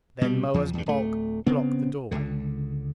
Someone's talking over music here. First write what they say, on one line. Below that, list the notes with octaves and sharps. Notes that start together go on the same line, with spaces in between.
Then Moa's bulk blocked the doorway.
B2 G3
E2 F3
E2 G2
D1 A3
C#3 B3 C4
C#2 D3